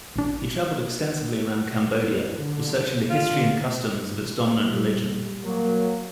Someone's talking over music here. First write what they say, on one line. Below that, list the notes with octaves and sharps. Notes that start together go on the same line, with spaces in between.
He traveled extensively around Cambodia, researching the history and customs of its dominant religion.
A1 D4
D3
D3 F4
A#2 G3
F#3 A#3